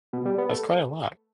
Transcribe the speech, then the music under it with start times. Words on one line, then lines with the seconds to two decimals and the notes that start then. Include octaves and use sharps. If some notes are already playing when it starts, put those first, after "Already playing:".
That's quite a lot.
0.13 B2
0.25 G3
0.38 B3
0.50 A3